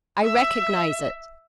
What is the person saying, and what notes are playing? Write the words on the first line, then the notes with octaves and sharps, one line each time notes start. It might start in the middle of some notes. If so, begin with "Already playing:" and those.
"I recognize it!"
E5